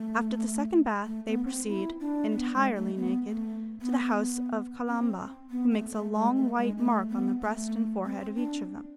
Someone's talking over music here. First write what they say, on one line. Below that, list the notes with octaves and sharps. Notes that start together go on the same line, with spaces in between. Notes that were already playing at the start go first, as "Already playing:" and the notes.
After the second bath they proceed, entirely naked, to the house of Kalamba, who makes a long white mark on the breast and forehead of each of them.
Already playing: A3
A3
B3
C4
E4
D4
B3
G#3
A3
B3
A3
B3
B3
C4
B3
A3
A3
G#3
A3
G#3
A3
B3
A3
C4
D4